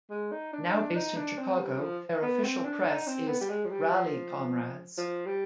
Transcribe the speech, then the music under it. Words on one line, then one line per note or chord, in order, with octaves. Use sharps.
Now based in Chicago, their official press is Rally, Comrades!
G#3
D#4
D4
D#4
D4
D#4
D4
C4
G3
F3
B3
C4
D4
D#4
C4
B3
G3
G#3
F3
G3
F3
F3
G3